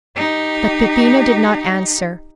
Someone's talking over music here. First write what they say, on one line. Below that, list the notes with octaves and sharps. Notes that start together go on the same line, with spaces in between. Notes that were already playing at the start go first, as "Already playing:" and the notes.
But Peppino did not answer.
D#4 G4